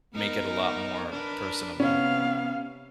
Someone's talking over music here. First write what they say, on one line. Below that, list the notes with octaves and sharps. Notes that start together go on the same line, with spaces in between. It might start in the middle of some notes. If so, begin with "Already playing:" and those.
make it a lot more personable.
B3 D#4 A#4
D4 A#4 B4
C3 B3 C#4 F5